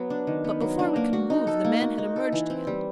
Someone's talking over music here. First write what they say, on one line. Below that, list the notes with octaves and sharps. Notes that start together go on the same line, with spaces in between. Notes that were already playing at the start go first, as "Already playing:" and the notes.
But before we could move, the man had emerged again.
Already playing: F#3 B3
D4
D#3
B3
F#3
D4
A#3
F#4
D#4
A4
A#3
F#4
D#4
A4
E3
C4
G3